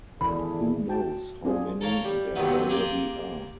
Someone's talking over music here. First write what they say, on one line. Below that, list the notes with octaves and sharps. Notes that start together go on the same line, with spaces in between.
Who knows how many there already are?
G#1 E2 D3 E4 G#4 A4 D5 B5
F#4 G5 A5
C4 D4 F4 G#4
A4 A#4 C#5 F5
G3
D#2 C3 D#3 F#3 B3
A#3 F4 G4 G#4